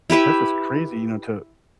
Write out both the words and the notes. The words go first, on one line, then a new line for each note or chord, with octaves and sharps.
that's just crazy, you know, to
E4 G4 B4 E5